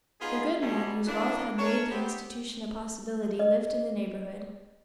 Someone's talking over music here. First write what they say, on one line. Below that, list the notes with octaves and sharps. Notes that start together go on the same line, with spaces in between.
The good man whose wealth had made the institution a possibility lived in the neighborhood.
B3 D#4 F4 G#4
G2 C3 G3 F#4 G#4
E3 A#3 D4
D4 A#4 C#5
B3 C4 G4
D#5